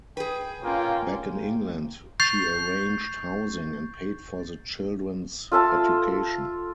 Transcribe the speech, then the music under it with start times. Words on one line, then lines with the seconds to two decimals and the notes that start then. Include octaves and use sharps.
Back in England she arranged housing and paid for the children's education.
0.17 G#4 B4 G5
0.64 A#3 C#4 F4 G5
2.20 C#6 G6 A6 C7 F7
5.52 F4 A4 E5 A5